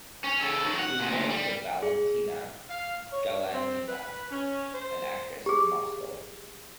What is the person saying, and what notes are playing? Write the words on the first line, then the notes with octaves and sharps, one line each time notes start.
He was married to Valentina Galanina, an actress in Moscow.
C#4
C#3 A4
D#3 F#3
F#5
D2 A#2
G3
G#4
F5
C#5
C4
B4
C#4
C5
G4 G#4